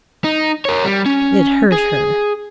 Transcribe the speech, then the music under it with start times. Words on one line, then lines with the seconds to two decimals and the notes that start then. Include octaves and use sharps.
It hurt her.
0.24 D#4
0.65 A#4 C#5
0.84 G3
1.06 C#4
1.72 G#4